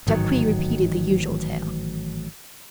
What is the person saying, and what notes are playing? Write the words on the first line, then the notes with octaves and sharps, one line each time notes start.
Jacques repeated the usual tale.
A1 G#2 D#3 F#3